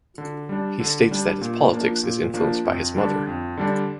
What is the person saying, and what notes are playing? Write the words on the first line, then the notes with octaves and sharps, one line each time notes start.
He states that his politics is influenced by his mother.
D3
G3 D4
D3
G3 D4
A#2
F3 A#3 D4
A#2
F3 A#3 D4
F2
D3 G3 D4
F2
D3 G3 D4